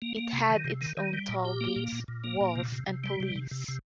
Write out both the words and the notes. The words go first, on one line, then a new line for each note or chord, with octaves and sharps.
It had its own tollgates, walls and police.
A#3
A#3
C3
D#3
C3
D#3
D#3
G3
A#2
G4
A#3
A#2
A#2
A#2
A#3
A#2
C3
C3
C3
G3
C3
C3
C3
C3